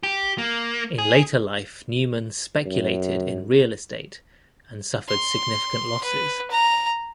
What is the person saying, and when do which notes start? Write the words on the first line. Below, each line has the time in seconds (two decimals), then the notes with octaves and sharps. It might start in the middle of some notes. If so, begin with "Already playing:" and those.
In later life Newman speculated in real estate and suffered significant losses.
0.03 G4
0.38 A#3
0.98 G#4
2.66 F#2
5.09 C6
6.04 B4
6.51 A#5